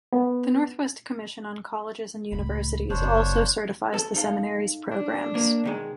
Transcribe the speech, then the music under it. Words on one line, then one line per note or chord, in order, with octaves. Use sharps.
The Northwest Commission on Colleges and Universities also certifies the seminary's programs.
B3
C#2 A2 B5
F#1 D4 C5 C#5
A4
D#4 A4 F5
D4
A#3
B2 D#3 G#3